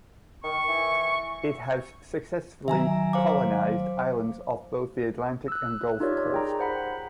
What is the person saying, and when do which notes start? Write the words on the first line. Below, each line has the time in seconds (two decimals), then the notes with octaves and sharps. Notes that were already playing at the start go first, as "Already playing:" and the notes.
It has successfully colonized islands off both the Atlantic and Gulf coasts.
0.44 D#3 C#6
0.68 E3
2.68 D#3 F#3 E5 G#5 A#5
3.13 C5 F5 D6
5.48 E6 F#6
6.00 D#4 F4 G4 A#4 C#5 D5
6.32 G#4 G5 A#5
6.59 C5 F#5 B5